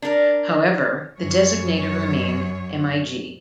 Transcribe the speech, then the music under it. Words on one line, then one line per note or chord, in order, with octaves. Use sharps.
However, the designator remained "MiG".
D4 A#4
F#2 C#5